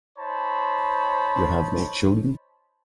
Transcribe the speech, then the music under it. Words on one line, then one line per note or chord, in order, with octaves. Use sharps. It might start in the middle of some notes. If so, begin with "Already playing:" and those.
You have no children.
D#4 C5 C#5 A5 B5